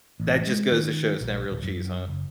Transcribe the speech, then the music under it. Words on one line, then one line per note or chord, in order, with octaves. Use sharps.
That just goes to show it's not real cheese, huh.
A1
G#3
D#3
A#1
D1
F#2
F#1